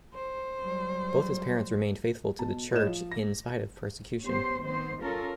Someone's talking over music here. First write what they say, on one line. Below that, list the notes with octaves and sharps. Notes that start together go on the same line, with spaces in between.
Both his parents remained faithful to the Church in spite of persecution.
C5
F#3 G3
B2 A5
A2 C#5 D#5 E7
F3
A#6
B3 C#4 G4 C5
D#3 B3 C4 C5
C#4 F4 A4 A#4